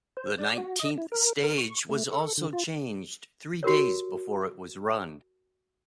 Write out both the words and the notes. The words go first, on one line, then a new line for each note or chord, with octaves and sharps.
The nineteenth stage was also changed three days before it was run.
C5
D5
F#4
D#5
E4
A#4
A#4
C#6
A3
A4
D3
F4
F#4 G4 A#4 C#5